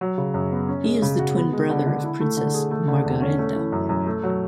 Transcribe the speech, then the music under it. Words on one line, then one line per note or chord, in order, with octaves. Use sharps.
He is the twin brother of Princess Margaretha.
F#3
C#3
F#2
B3
C#4
G#3
C#3
F#4
B3
G#3
D3
D4
E4
A3
D3
G#4
A3
D3
E2
C#4
A3
E3
F#2
F#2
A3
F#3